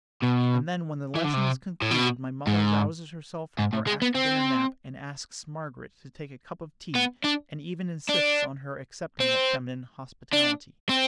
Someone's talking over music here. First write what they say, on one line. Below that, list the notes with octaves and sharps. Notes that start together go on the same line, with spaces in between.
And then, when the lesson is concluded, my mother rouses herself from her after-dinner nap, and asks Margaret to take a cup of tea, and even insists on her accepting that feminine hospitality.
B2
E3
D3
C3
A2
B2
G#2
G#2
A2
G#3
B3
C4
B3
D4
D4
C4
D4
C4